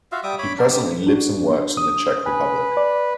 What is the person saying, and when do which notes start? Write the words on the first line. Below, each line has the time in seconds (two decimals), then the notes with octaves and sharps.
He presently lives and works in the Czech Republic.
0.12 F4 F#4 E5 F5
0.24 G3 E5 D6 D#6
0.39 C#5 B5 D6
0.58 F#3 D4 A#4
0.70 G4
1.07 D4 F#4
1.77 D#6
2.26 B4 G#5
2.77 D5